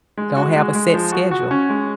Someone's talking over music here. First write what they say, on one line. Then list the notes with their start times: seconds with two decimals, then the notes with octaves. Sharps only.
Don't have a set schedule.
0.17 G#3
0.37 F#4
0.55 G#3
0.75 G#3
0.94 F3
1.12 F#4
1.31 F#4
1.51 C#4
1.70 G#3